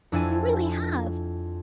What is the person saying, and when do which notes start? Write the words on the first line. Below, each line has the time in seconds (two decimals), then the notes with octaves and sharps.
We really have.
0.12 F2 D4 E4 G#5 A5 D#7